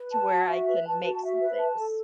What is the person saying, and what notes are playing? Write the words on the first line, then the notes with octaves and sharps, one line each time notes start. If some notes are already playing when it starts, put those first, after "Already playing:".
to where I can make some things.
Already playing: B4
A5
F#4
E5
B4
A5
F#4
E5
B4
A5
A4